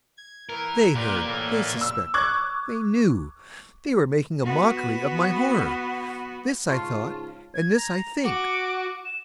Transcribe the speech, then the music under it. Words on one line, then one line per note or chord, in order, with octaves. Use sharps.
They heard!--they suspected!--they knew!--they were making a mockery of my horror!-this I thought, and this I think.
G#6
E3 A#4
A#2 G4 A#4 B4
A2 E3 A#3
E6
C#6 D6 F#6 G#6
B3 F#4
G#2 C#3 F4 A5 C6 C#6
G#6
A#5
F#4 D6
E7